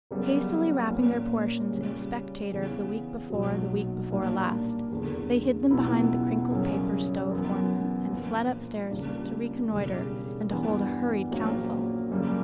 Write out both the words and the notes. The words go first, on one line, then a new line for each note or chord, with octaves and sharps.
Hastily wrapping their portions in a Spectator of the week before the week before last, they hid them behind the crinkled-paper stove-ornament, and fled upstairs to reconnoitre and to hold a hurried council.
F#1 F#2 C#3 G3 B3
A#2 A#3 C#4
C#3 G3 C#4
C#3 E3 B3
B1 A#2 F#3
A#2 G3 A#3 D4
F#1 E2 D3
C#2 B2 F#3 B3 E4
F#2 C#3 G3 C#4
F#2 E3 B3
A#1 A#2 A#3
C#2 C#3 G3 A#3 D4
E1 E2 C#3 G3
G2 E3 G3 B3
A#1 A#2 F#3 A#3 C#4
F#2 C#3 G3 A#3